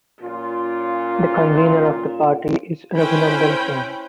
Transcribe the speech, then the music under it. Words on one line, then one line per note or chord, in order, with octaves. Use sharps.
The convenor of the party is Raghunandan Singh.
A#2 C#4 F4
C#4 E4 B4 C5 G5 B5